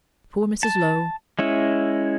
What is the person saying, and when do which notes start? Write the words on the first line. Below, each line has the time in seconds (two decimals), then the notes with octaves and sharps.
Poor Mrs. Low!
0.63 A5
1.39 G#3 C#4 E4